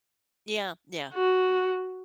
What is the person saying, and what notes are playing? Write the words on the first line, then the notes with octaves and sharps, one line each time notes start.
Yeah, yeah,
F#4